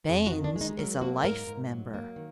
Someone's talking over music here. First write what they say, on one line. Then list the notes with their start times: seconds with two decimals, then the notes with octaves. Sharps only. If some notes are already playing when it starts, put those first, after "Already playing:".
Baines is a life member.
0.09 F2 G#4
0.27 F#4
0.32 D#3
0.44 D4
0.56 G#3
0.61 D#4
0.79 F#3 A#4
1.01 A#3 F#4
1.24 G#2 A#4
1.47 G#2
1.70 F#3
1.94 A#3
2.16 D#3